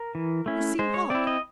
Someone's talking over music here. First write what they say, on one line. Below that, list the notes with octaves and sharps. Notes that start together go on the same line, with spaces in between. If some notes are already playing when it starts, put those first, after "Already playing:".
"You seem hot."
Already playing: A#4
E3
A3 C#4 E4
G#3 C5
C#5
C4 E4 D5
D#5